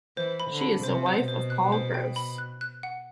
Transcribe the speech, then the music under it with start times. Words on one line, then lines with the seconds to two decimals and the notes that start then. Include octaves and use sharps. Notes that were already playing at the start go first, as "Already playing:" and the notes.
She is the wife of Paul Gross.
0.17 E3 C5
0.40 B5
0.51 D3
0.61 B5
0.84 C3 C5
1.06 C5
1.17 B2
1.28 C5
1.50 F#6
1.72 C5
1.94 G5
2.16 B5
2.38 F#6
2.61 F#6
2.83 F#5